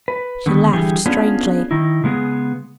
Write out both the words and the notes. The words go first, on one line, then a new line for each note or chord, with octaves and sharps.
She laughed strangely.
B4
D3 D#3 B3
D3 E3 G3 G4 G#4
B3 C#4 D4 F4 G#4
D#3 D#4 E4
C#3 G#3 B3 G#4